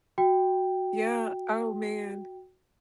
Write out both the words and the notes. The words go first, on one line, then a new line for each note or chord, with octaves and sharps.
Yeah, oh, man.
F#4 G5